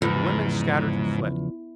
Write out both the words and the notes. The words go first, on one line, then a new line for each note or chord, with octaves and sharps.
The women scattered and fled.
E2 G#2 C#3 F3